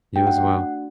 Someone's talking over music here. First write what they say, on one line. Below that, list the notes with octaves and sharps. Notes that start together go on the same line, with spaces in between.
You as well.
A3 D4 F#4 G5
F#5
F#5